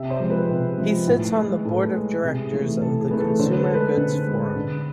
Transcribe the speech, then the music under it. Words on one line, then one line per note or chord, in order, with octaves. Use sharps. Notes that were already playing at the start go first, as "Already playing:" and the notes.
He sits on the Board of Directors of the Consumer Goods Forum.
Already playing: C3 E5
C5
F3 G#3
B4
C3
F3 G#3
A2
G#3
A2 A4
G#3
C3 G#4
E3 A3
C3 A4
G#4
E3 A3 B4
A4
D3 C5
B4
A4
G#3
B4
D3
G#3
D3